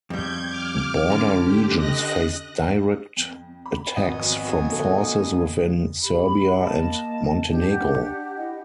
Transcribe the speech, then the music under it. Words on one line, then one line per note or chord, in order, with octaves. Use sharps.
Border regions faced direct attacks from forces within Serbia and Montenegro.
F2 G3 G6 G#6
D6 F6
D3 C#4
G4
D#5 F#6 A#6
F2
B5
G#1 F2 C3 F#3 B3 D#5 G#5
F2 A#2 D3 A4
G4 B5
A#3 D#5 A5
D4 G4
F#5
E4 D#5